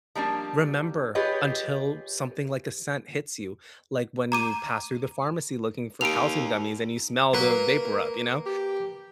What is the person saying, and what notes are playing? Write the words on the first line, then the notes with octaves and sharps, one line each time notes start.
remember until something like a scent hits you, like, when you pass through the pharmacy looking for calcium gummies and you smell the vapor rub, you know?
F3 G3 A#3 D4
F4 G4 G#4 B4 C#5 D#5
A#5 D6 D#7
D#2 D7 F7
F#3 A#3 B4
A#4
G4